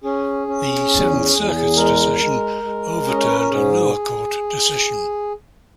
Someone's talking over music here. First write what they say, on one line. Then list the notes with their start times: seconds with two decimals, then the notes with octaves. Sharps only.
The Seventh Circuit's decision overturned a lower court decision.
0.04 C#4 G#4
0.47 C#4
0.89 E2
1.33 E2
1.77 G#3 A#4
2.20 G#3
2.63 G#3
3.07 C#4 D#5
3.18 C#5
3.29 B4
3.39 A#4
3.50 G#2 G#4